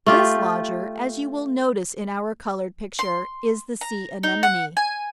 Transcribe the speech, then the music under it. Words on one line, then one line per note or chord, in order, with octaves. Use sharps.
This lodger, as you will notice in our coloured picture, is the sea anemone.
A3 F4 G4
C6
A#5
D#4
F#5
G#5